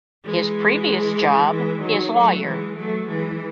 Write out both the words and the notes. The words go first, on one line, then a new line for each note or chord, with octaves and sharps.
His previous job is lawyer.
E3 G#3
E3 G#3
D#3 F#3
F#3 A3
E3 G#3
F#3 A3
E3 G#3